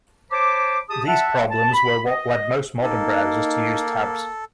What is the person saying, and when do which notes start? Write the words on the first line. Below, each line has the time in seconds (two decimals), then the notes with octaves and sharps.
These problems were what led most modern web browsers to use tabs.
0.31 C5 C#5 A5 B5 D6
0.90 G4 G#4 A5 D#6
1.07 E5 F#5 A5
1.50 A5
1.73 B5
2.08 D#5
2.83 A#3 D#4 A4